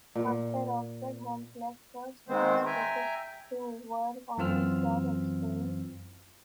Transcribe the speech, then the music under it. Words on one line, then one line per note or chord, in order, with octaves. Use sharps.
After Oxford, Holmes left first-class cricket to work on the Stock Exchange.
A#2
D#3 G#3 B3 C4 C5
E5 G5 G#5 A#5
F#2 E3 C4 F4 E6 F6